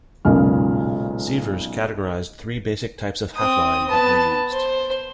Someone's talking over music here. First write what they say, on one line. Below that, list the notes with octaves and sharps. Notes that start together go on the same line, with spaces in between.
Sievers categorized three basic types of half-line that were used.
B1 A#2 C#3 G#3 F6
C4 D#6
B3 A5
C5